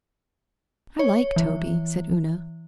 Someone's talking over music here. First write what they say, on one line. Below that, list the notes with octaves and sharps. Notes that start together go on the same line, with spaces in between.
'I like Toby,' said Una.
C#5
E3